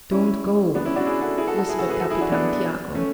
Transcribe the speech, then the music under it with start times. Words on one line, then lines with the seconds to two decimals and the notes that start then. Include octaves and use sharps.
"Don't go!" whispered Capitan Tiago.
0.11 C#4 E4
0.75 B3 D4
0.85 C#4 E4
0.96 D4 F#4
1.06 E4 G#4
1.21 F#4 A4
1.38 E4 G#4
1.48 F#4 A4
1.58 F#4 A4
1.69 E4 G#4
1.79 F#4 A4
1.90 G#4 B4
2.00 F#4 A4
2.10 E4 G#4
2.21 D4 F#4
2.32 B3 D4
2.95 A3 C#4